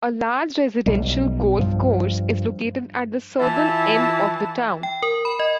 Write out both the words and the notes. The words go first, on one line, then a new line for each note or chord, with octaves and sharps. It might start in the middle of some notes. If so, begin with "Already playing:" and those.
A large residential golf course is located at the southern end of the town.
B1 G3
G2 F3
E3 E4 F4 E5 A5
G5
A#4
B5
D#5